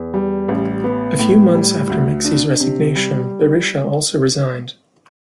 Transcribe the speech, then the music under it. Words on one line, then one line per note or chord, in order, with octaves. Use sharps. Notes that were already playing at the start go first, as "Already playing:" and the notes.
A few months after Meksi's resignation, Berisha also resigned.
Already playing: E2
G3
A1
B3
A2
G3
D2
D4
C3
G3